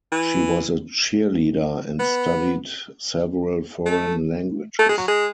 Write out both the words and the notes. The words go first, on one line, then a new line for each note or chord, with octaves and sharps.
She was a cheerleader and studied several foreign languages.
E3
B3
A3
A3
G#3
F#3
G#3